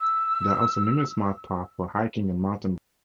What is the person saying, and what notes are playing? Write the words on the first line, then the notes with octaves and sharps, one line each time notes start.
There are also numerous marked paths for hiking and mountain biking.
E6